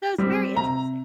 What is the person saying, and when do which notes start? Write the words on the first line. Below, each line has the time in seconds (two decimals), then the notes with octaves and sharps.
So, it's very interesting.
0.18 G3 C4
0.56 C3 A#5